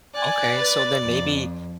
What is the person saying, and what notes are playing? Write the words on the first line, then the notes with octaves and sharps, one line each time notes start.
Okay so, then maybe
D5 G#5 F#6
B4 A6
F2